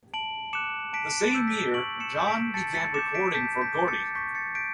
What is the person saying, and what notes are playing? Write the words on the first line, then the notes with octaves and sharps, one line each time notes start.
The same year, John began recording for Gordy.
A5 D7 F#7
D6 F#6 C#7 E7
A5 B6 D7
A6 C#7
E6 G6
B6 D7
C#6 D7 F#7
C#7 E7
G6
B6 D7
A5 A6 C#7
A6 C#7
D6 G6 C#7 E7
B6 D7
A5 G6 B6
G6 B6
D6 G6
A6 C#7
C#6 G6 B6
A6 C#7
G6 B6 D7